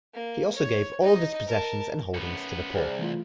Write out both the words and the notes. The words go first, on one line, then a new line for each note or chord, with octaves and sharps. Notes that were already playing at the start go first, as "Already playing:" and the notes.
He also gave all of his possessions and holdings to the poor.
A#3
C#5
D#4 D#5
A#4 A5
F#2 B3
C2 G#4 C5 D5
E3 A3 F4